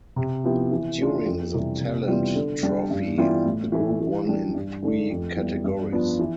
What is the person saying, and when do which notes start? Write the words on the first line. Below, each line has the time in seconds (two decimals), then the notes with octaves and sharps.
During the Talent Trophy, the group won in three categories.
0.16 C3
0.44 F3 B3 E4 G4
0.71 E3
0.99 A3 D4 F4
1.26 F2
1.54 C3 E3 G3
1.81 C3
2.08 E3 G3 B3 F4
2.35 D3
2.63 G3 D4
2.91 G2
3.18 E3 G3 B3 F4
3.46 A2
3.72 E3 A3
4.00 E3
4.27 G3 D4 G4
4.54 G2
4.83 D3 A3 D4
5.10 F2
5.37 E3 G3 B3
5.64 G2
5.92 F3 B3 D4 F4
6.19 E3